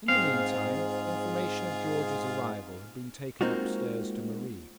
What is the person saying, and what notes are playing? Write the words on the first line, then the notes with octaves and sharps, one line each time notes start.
In the mean time, information of George's arrival had been taken upstairs to Marie.
G#2 C4 F4 G#4 F5
G#3 A#3 C4 D#4 F4 F#4